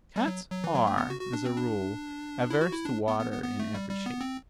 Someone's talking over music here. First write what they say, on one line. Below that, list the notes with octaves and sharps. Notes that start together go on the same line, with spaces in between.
Cats are, as a rule, averse to water in every shape.
G3
F#3
F#3
E3
F#3
A3
B3
F#4
F#4
D4
C4
D4
E4
F#4
E4
D4
B3
B3
B3
B3
A3
G3
G3
B3
C4